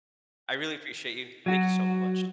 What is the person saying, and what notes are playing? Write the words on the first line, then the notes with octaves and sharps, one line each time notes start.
I really appreciate you, thank you so much.
F#3 F#4